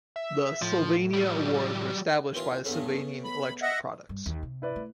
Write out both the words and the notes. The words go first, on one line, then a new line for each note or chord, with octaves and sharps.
The Sylvania Awards were established by Sylvania Electric Products.
E5
A2 F3
F#3 G3
D#2 E3 F4
G2 C#3 A3 B3
B5
D#5 E5 F#5
G2
D#2
C3
E4 B4 D5
A3